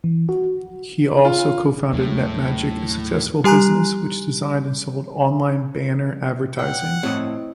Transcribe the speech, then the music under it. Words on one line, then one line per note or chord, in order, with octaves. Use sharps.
He also co-founded Netmagic, a successful business which designed and sold online banner advertising.
E3
F#4
F4
D#2 A2 F#3 A3
G3 G4 G#5 A#5 F#6
F#5 G5
A2 C4 C#5 D#5